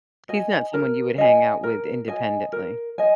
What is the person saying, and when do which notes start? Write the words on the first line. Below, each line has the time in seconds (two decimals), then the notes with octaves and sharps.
He's not someone you would hang out with independently.
0.29 D#5 G#5
0.74 A#4
1.18 D#5 G#5
1.63 A#4
2.08 D#5 G#5
2.52 A#4
2.98 D#5 G#5